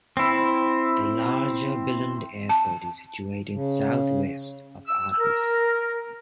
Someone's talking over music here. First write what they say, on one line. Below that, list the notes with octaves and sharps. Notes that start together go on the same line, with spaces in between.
The larger Billund Airport is situated south-west of Aarhus.
C4 E4
A5
C#3
E6
A#4